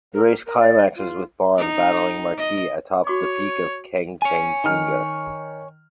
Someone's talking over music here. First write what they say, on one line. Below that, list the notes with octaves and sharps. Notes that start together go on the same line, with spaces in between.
The race climaxes with Bond battling Marquis atop the peak of Kangchenjunga.
A#4
A#4
D5
F4
D#4
D#5
F#4 C#5 C#6 D6
C#5 G#5
D#3 F6